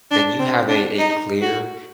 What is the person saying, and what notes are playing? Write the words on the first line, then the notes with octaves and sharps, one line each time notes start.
then you have a a clear,
D4
C4
D4
D#4
F#4